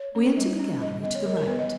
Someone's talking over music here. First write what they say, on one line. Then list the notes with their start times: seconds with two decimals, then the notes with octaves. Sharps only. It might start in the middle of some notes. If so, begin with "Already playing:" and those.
We entered the gallery to the right.
Already playing: C#5
0.15 C#4
0.37 G3
0.59 C#4
0.82 G3 D#5
1.03 B3 D#5
1.15 C#5
1.26 G3 A#4
1.37 A#4
1.47 B3 B4
1.59 D#5